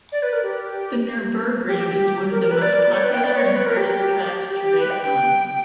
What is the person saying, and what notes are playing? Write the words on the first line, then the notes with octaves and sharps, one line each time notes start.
The Nurburgring is one of the most popular and hardest tracks to race on.
D5
B4
A#4
G4
G4
G4
G4
A#4
A#4
B4
D5
C#5
B4
G5
D5
C#5
C#5
B4
A#4
G4
G4
G4
B4
G5
G5